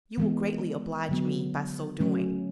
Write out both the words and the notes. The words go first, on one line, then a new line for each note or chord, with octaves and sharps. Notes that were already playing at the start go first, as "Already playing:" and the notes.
You will greatly oblige me by so doing.
E3 G#3 B3
D3 F#3 B3
F#3 A3 C#4